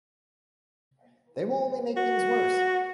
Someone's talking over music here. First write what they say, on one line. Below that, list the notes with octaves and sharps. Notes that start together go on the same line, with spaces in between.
They will only make things worse.
F#4